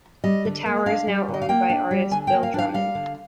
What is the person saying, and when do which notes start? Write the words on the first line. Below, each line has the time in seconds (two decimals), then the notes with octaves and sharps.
The tower is now owned by artist Bill Drummond.
0.24 G3 D#5
0.45 D3
0.66 A#3
0.86 D4 F5
1.07 G3
1.28 D3
1.34 D#5
1.42 F5
1.49 A#3 G5
1.70 D4
1.91 G3
2.11 D3 G#5
2.27 G5
2.32 A#3
2.43 F5
2.54 D4 F5
2.74 G3 F5
2.95 D3